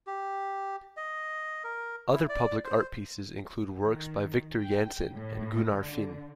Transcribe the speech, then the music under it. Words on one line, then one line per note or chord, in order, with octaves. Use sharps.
Other public art pieces include works by Viktor Jansson and Gunnar Finne.
G4
D#5
A#4
E4
D5
C5
D#3
G5
A2
D3